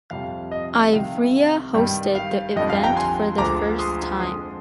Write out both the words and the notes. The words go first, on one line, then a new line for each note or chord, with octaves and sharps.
Ivrea hosted the event for the first time.
F2 C3 G3 F5
D#5
C2 C3 D#3 F5
G2 D#3 G3
F5
F2 D3 G3 D#5
F5
G5 A#5
G#5 C6
D2 D3 F3 G#3 A#5 D6
C6 D#6
F2 D3 G#3 C6 D#6